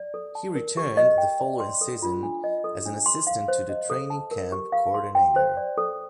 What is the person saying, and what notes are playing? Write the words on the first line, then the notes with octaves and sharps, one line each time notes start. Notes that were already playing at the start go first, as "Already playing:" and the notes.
He returned the following season as an assistant to the training camp coordinator.
Already playing: D5
A4
A5
A#4
G4
D#5
G5
D5
C6
A4
F4
D4
D#5
A4
D4
C6
F5
C5
D#5
A4
A5
A#4
G4
F5
C6
G5
C5
D5
A4